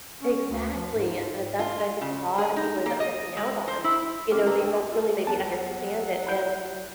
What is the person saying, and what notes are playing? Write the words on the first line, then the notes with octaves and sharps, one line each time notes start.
Exactly. And, uh, that's what I think a lotta people end up missing out on, you know, they don't really maybe understand it. And
C#4
D2
F3
G#2
F4
C#3
G#4
D#4
A#3
D#5
G#3
C5
E4
C2 C#3 C4 E4 D6 F6
G4 A#4 B4 A#5 D#6 E6
D2 G5 E6
D6
F4
E2 F#3 F#5 A5
E4 B5 G6